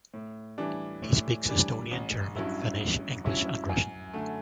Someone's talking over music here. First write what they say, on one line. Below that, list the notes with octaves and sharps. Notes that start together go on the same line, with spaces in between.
He speaks Estonian, German, Finnish, English and Russian.
A2
E3 G3 D4
A2
E3 G3 D4
A1
G2 F#3 C#4 E4
A1
G2 F#3 C#4 E4
F#2
D3 A3